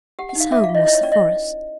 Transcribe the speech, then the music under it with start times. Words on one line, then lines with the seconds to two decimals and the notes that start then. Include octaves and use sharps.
His home was the forest.
0.19 G4 F#5
0.29 F#5
0.35 D#4
0.40 F5
0.52 G#4 E5
0.64 F5
0.69 F4
0.75 D#5
0.86 E4 D#5
0.95 C#5
1.03 C#4 D5
1.12 D#5